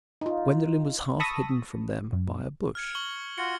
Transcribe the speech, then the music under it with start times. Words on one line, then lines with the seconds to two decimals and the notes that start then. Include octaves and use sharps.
Gwendolen was half hidden from them by a bush.
0.21 D#4 F4
1.20 A5 B5 C#6 D#6 E6 A#6
2.12 F#2
2.75 F6 G#6 C#7
2.95 C#6 F#7 G7
3.38 F4 F#4 C#7